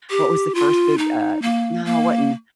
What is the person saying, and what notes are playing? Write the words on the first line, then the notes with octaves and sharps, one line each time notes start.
what was the first big, uh no, it wasn't
G4
F4
D#4
A#3
A#3